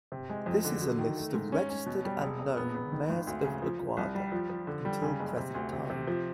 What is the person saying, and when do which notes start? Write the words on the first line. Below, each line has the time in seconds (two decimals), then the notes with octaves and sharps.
This is a list of registered and known mayors of Aguada, until present time.
0.12 C3
0.30 G#3
0.46 F2
0.64 D3
0.81 F#3
0.99 D#3
1.17 A3
1.34 G#2
1.52 C#4
1.70 C#4
1.86 B2
2.05 G3
2.21 E1
2.39 E1
2.57 B3
2.75 B3
2.92 D#3
3.09 G#1
3.27 D2
3.44 C#3
3.62 F3
3.80 F3
3.97 C2
4.15 G3
4.32 F3
4.50 F3
4.67 D3
4.85 G3
5.02 C#3
5.20 F#1
5.37 C3
5.55 D2
5.73 C3
5.90 C3
6.08 F3